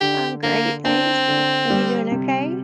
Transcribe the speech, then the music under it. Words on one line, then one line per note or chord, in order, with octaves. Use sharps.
I'm great, thanks, and and you doing okay?
D3 G4
D3 A#3
C4 D4
D3
G3
C3